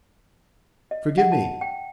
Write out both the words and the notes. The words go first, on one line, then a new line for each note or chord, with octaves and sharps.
Forgive me!
D#5
F#5
A5
G5